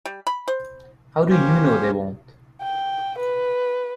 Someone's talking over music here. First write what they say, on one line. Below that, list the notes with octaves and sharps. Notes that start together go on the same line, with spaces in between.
How do you know they won't?
G3
B5
C5
A#3 C#4 G4 C5 C#5
G5
B4